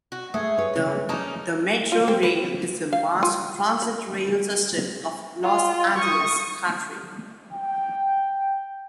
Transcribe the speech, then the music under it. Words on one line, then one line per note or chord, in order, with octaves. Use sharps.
The Metro Rail is the mass transit rail system of Los Angeles County.
F#4
A3 G#4
B4 C#5
C#3
A#3 C#4 D#4 A5
F4
C4
B4
F5
F4
B5
F4
C#6 D#6
G5